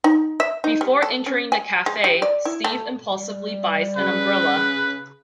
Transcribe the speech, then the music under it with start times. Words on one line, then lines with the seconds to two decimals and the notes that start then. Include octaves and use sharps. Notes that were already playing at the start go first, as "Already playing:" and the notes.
Before entering the Cafe, Steve impulsively buys an umbrella.
0.04 D#4
0.40 E5
0.64 D#4
0.81 G3
1.02 A4
1.26 C#4
1.52 G#5
1.86 G#3
2.04 G4
2.22 D5
2.45 E4
2.64 A3
3.09 G3
3.97 C#3 B4